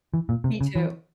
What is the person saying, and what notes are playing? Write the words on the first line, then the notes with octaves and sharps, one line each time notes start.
Me too.
E3
A#2
C3
C#3
E3